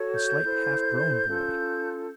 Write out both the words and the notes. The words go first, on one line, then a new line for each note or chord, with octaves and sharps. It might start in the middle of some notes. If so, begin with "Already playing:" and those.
A slight, half grown boy.
Already playing: F#4 A4 C#5
G6
E4 A4 C5
C#4 F4 A4